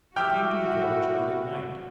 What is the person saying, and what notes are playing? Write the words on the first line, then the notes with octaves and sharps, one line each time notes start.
He came to the village late at night.
E4 F#4 G4 G5 D6 E6 F6